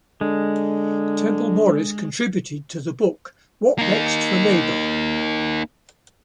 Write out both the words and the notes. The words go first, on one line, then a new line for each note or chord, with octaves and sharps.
Temple-Morris contributed to the book What next for Labour?
D3 G#3
A#3 D#4